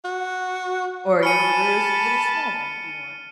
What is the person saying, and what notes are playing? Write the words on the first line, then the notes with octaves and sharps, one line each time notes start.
or you can brew a s little small one, if you want.
F#4
G#5 A5 B5 C#6 F6 C#7 D#7